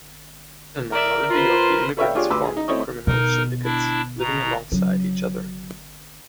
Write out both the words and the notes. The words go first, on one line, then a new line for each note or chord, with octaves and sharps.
A minority of the immigrants formed criminal syndicates, living alongside each other.
A#4 D5 E5
F4 B4 C5
A4 B4 C#5 E5 F5 G5
D4 F4 G4 G#4 C#5
D2 B4 C6 D6 E6
G#4
D#4
A3 C4 E4 C#5 D#5
B2 D#4 A#4
D4 E4
B2 A#5
C#3 F#3